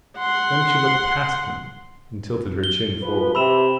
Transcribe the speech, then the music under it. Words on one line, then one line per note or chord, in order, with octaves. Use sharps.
Then she looked past him, and tilted her chin forward.
F#5 C6
G7
F3 B4
C3 B5 E6 E7